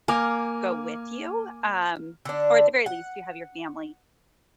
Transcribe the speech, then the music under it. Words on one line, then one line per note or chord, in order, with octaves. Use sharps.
go with you, um, or at the very least, you have your family,
A#3 G#5 D6 F6
D3 D4
F#5